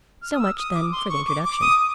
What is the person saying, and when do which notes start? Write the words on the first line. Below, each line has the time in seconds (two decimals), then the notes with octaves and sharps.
So much, then, for the introduction.
0.22 F6
0.34 D#6
0.40 E6
0.57 D#6
0.74 D6
0.92 C6
1.09 C#6
1.27 D6
1.45 D6
1.61 D#6